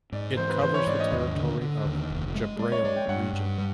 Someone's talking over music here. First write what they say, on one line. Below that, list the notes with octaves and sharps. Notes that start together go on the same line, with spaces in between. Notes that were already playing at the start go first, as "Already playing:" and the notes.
It covers the territory of Jabrayil region.
G#2 D5
E3 C5
B4
E3 C5
C#5
G#2 D5
D#5
D#2 D#5
D3
D3
D#2
F1
G#3
G#3 D5
C#5
G#3 D5
G5
G2 F#5
G2
G3